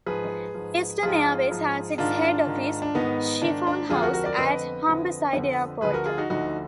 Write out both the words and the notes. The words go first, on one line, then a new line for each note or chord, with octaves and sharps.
Eastern Airways has its head office, Schiphol House, at Humberside Airport.
G#2 F3 G#4 B4
G#2 F3
G#2 F3 F4 G#4
G#2 F3
G#2 D#3 D4 F4
G#2 D#3
D4
G#2 D#3 B3 D#4
G#2 D#3 D4
D4
F2 D3 F3 F4 G#4
F#4 A#4
F#4 A#4
A#4 D5
F2 D3 F3 B4 D#5
F2 D3 F3
F2 D3 F3
D2 D3 F3 G#4 B4
F#4 A#4
F4 G#4
D#4 F#4
D2 D3 F3 D#4 F#4